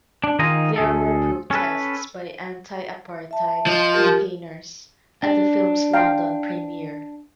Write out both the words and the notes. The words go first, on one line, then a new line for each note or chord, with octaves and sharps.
There were protests by anti-apartheid campaigners at the film's London premiere.
D4
D#3 D#4 F4 G#4 D#5
D2 G#4 A4
C#4 A4 B4
E5 A5
F3 D#5
F4 G4 A#4
D4
F5 G5 A#5